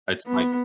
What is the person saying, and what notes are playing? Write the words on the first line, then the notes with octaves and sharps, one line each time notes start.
that's my
B3